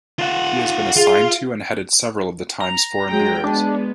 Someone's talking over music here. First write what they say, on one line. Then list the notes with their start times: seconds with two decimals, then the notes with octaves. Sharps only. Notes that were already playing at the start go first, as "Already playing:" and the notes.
He has been assigned to and headed several of the "Times" foreign bureaus.
0.19 F4 F#5
0.96 F4 G#4
2.60 A#5
3.09 F#3 G#3 G5
3.44 G#3 B3 D4